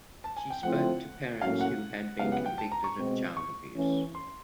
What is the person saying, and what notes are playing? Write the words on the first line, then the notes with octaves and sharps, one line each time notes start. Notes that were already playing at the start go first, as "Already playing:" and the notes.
She spoke to parents who had been convicted of child abuse.
A5
G#5
G5
F3 A3 C4 E4 F#5
A2 F#3 A#3 C#4 F#4 F5
F#5
C#3 F#3 B3 E4 G4 F5
F#5
G5
A5
A#5
C#6
B2 G#3 C4
C#6
E3 A3 C#4
C6